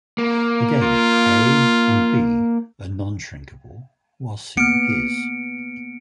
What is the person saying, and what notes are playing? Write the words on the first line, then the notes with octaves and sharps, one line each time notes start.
Again, "a" and "b" are non-shrinkable while "c" is.
A#3
F4
A#3 B3 F6 C#7 D7